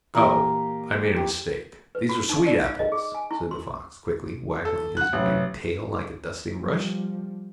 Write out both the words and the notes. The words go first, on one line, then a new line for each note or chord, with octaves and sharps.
"Oh, I made a mistake, these are sweet apples," said the fox, quickly, waggling his big tail like a dusting brush.
A#2 E3 A#3 E4 G4
G4
B4
F#4
D#4
D5
F5
D#5
G#4
G#5
E4
C6
A4
F#5 F#6
A1 C3 F#3 C#5
F3 G3